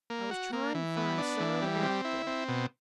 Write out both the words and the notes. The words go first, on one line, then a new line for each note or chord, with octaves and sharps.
I was tryin' to find some outfit.
A#3
F#4
A#3
E3
B3
D4
E3
G3
C4
E4
C4
B2